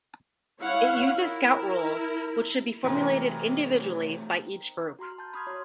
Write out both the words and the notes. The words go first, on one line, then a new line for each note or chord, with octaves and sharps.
It uses Scout rules, which should be formulated individually by each group.
E4 C#5 F5 F#5
E4 A#4
C3 E3 F#3 A3 B3 C4 D#4 A#4
F#4 A#5 C6 F6
A5 G6
B5 C6 D#6 F6 G#6
F#4 C#5 C6